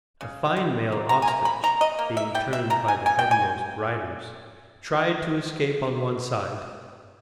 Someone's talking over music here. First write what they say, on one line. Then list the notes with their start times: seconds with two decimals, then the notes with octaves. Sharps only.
A fine male ostrich being turned by the headmost riders, tried to escape on one side.
0.21 C#3
0.56 G3
0.92 A#3
1.09 A#5
1.22 G#5
1.27 A#3 A#5
1.45 B5
1.63 E3 A#5
1.81 D#5
1.99 A#3
2.17 E5
2.35 G3 G5
2.53 E5
2.70 C#3 A#5
2.88 G#5
3.06 C#3 G#5
3.19 G5
3.31 G#5
3.42 C#3